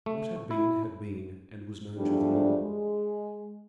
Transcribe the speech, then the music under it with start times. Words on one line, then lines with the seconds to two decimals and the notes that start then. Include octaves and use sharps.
What had been had been, and was known to them all.
0.06 A3
0.51 E4
1.98 E2 F3 G3 A3 D4
2.62 G#3